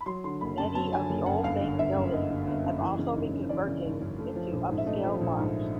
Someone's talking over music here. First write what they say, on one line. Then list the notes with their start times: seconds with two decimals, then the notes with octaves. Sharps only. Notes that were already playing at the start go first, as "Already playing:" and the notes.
Many of the old bank buildings have also been converted into upscale lofts.
0.01 B5
0.06 F#3 C6
0.24 D3 C6
0.41 F#1 B5
0.58 F#2 A5
0.75 F#3 A5
0.92 D3 G#5
1.09 F#1
1.26 F#2 F#5
1.44 G1 F5
1.61 D3
1.78 G1 E5
1.95 F#2
2.13 G1 D#5
2.30 D3
2.47 G1
2.64 F#2
2.81 E3
2.99 C#3
3.15 G#1
3.33 F#2
3.49 E3 D5
3.67 C#3
3.85 G#1
4.01 F#2
4.19 A3
4.36 F3
4.53 A#1
4.70 G#2
4.78 E5
4.86 A3 D#5
5.04 F3
5.21 A#1
5.39 G#2